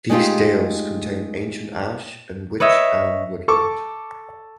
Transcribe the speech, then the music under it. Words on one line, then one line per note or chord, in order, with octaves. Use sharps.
These dales contain ancient ash and wych elm woodland.
G#3 A3 D#4 F4 G4
B4 C#5 D#5 E5
A4 C#6 D6